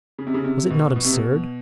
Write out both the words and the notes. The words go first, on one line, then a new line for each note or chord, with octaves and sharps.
Was it not absurd?
C#3
C3
C#3
C3
B2
B2
C3
B2